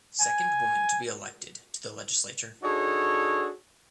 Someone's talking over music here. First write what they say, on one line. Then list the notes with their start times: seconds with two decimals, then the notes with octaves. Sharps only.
Second woman to be elected to the legislature.
0.20 G#5
2.63 D4 D#4 F#4 G#4 A4 C#5